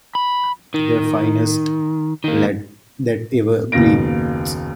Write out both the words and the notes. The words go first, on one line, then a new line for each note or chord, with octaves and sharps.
The finest lad that ever breathed!
B5
D#3
D#3 A#3
F#1 D#2 B2 F5 A#6 D7